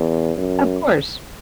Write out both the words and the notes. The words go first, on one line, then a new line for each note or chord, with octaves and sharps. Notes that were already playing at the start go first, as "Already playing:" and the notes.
Of course.
Already playing: E2
F#2